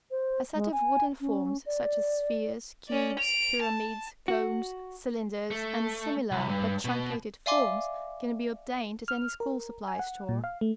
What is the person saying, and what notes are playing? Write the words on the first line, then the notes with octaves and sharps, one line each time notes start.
A set of wooden forms, such as spheres, cubes, pyramids, cones, cylinders, and similar, but truncated, forms, can be obtained at any school supply store.
C5
G#3
G#5
C#4
D5
C#4 D5
D7 F7
A5
F#4
A3
C2
G2
B2
D5 E5 F5 G#5 C6 D6
F6
A#4
G#5
F#5
A#2
F5
A3